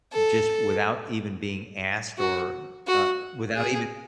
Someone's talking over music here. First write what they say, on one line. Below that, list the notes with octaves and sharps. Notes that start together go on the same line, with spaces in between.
just without even being asked or, uh, without even
A4
F#4
F#4
G#4